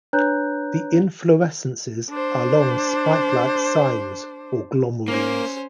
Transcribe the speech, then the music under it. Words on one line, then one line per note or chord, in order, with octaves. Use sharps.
The inflorescences are long spikelike cymes or glomerules.
D4 B4 C#5 A#5 F#6 G6
D4 C5
A#3 C#4 C5